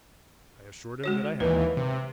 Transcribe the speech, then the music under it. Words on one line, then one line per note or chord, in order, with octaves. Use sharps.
I assured him that I had.
G#3 F#4 C#5
D#2 E3 B4
C3